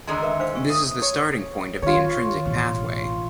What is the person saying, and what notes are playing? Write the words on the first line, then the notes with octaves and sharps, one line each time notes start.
This is the starting point of the intrinsic pathway.
D3 D#3 G#3 A#5 D#6 E6
A#4 B4 E5
D4 C5 F5
C#6
D#6
C#5
D#3 F4 C#5
A1 B2